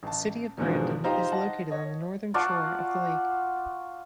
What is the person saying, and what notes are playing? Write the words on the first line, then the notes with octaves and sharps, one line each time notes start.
The city of Crandon is located on the northern shore of the lake.
A1 A5
E2 G#2 B2 D3 E3 F3
D#4 F4 G4 C5 A#5 C6
D#5 F#5 A5
C#5 D#5
F4 F#4 D5 A5